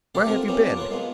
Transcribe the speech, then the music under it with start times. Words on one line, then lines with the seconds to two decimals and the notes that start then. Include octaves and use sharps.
"Where have you been?"
0.15 G4 B4 D5 F5 F#5
0.27 A3 C4 F4 A#4 C6
0.48 A#3 B3 C#4 E4 F4 G4
0.66 F4 A5 C#6 D6
0.77 A#4 B4 C#5 C6
0.90 G#3 A#3 B3 F4